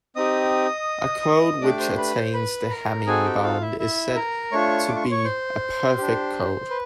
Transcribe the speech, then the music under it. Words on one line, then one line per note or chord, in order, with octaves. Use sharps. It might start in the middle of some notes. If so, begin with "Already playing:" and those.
A code which attains the Hamming bound is said to be a perfect code.
C4 D#4 G4 D#5 D#6
A3 D4 G4 D5 D6
C5 C6
B4 B5
C5 C6
B4 B5
A#4 A#5
C4 D#4 F#4 G#4 A4 G#5
G4 G5
F4 F5
E4 E5
E4 E5
A#4 A#5
A3 D4 F4 C#5 C#6
D6
C#6
C6
C#5 C#6
C5 C6
D4 G4
B4